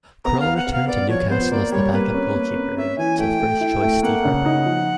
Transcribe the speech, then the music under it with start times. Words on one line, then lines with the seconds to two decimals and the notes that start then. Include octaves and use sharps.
Krul returned to Newcastle as the backup goalkeeper to first choice Steve Harper.
0.25 B3 A#5
0.40 F5
0.46 B3
0.57 F#5
0.67 B3
0.73 F5
0.87 B3 D5
1.09 F3 C#5
1.30 B3 C5
1.51 A#3 D5
1.72 G3 C#5
1.93 A#3 B4
2.14 C#4
2.35 A#3
2.56 C#4
2.77 C#4 E5
2.98 E3 G#5
3.19 A3 G5
3.40 A3
3.61 E4
3.82 A3
4.03 A#3 F#5
4.25 C#3
4.46 D#4
4.66 F3